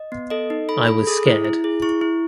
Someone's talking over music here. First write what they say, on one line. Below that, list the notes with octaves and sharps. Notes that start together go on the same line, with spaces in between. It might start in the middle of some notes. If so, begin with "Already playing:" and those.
I was scared.
Already playing: D#5
B3
A4 D#5
D#4
A4 B5
A4 B5
G#4 D#6
E4
E4
G#4
E4 C#6
E4